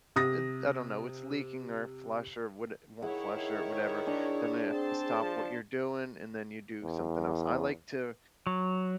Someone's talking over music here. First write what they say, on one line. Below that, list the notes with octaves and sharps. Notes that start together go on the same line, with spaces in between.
eh I don't know, it's leaking or flush or would won't flush or whatever, then I have to stop what you're doing, and then you do something else, I like to
C3 D#6 A#6
D#3 E4 G#4 C#5 F#5
D4
C4 A5 C6
F3
E2
F#3